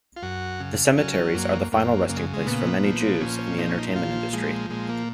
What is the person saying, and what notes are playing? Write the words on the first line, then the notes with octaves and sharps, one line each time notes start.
The cemeteries are the final resting place for many Jews in the entertainment industry.
F4
F#2 F#4
C#3
F#3 C#4
F#2 A#3
F#2 A#3
C#3 A#3
G#3
G#3
A#2 B3
F3
A#2 C#4
F3 D#4
C#4
D#4
D#4
A#2 F4
F3 G#3
A#2 G#3
A#3